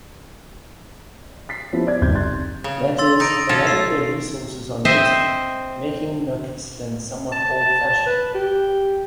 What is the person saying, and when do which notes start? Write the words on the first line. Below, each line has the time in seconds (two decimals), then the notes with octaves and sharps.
That is, a lot of their resources are native, making Nochistlan somewhat old-fashioned.
1.49 A6 B6 C7
1.73 F3 B3 C#4 E4 G4 C5
1.87 D5 G#6
2.01 G1 C2 C3 D#3 G6 G#6
2.15 C6 F#6 A6
2.64 C#3
2.99 C6 E6 A6
3.20 D#4 A#6 D7 F7
3.49 C#4 F4 A4
3.67 E6 C7
4.85 C4 C5 D#5 E5
7.32 A5
8.06 B4
8.35 G4